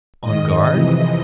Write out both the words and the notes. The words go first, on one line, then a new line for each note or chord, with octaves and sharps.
"On guard?"
G#2 D#3 D#5
F2 C3 E3 D#5